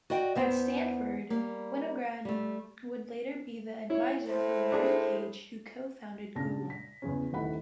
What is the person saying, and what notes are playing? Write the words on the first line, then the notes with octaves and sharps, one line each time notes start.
At Stanford, Winograd would later be the adviser for Larry Page, who co-founded Google.
F#4 D5 D#5 G5
E2 B3 C5
G3 A#3
G3 A3
E4 C#5
A2 C5
D4 G#4
A#2 C#3 D4 A5 A#6
B6
E2 C#3 C#4
D#1 D#3 E3 A3 F#5 B5